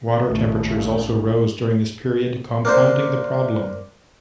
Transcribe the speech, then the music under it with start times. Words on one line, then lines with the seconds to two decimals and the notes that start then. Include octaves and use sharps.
Water temperatures also rose during this period, compounding the problem.
0.24 A1 D#2 C#3 A3
2.65 A#3 D4 C5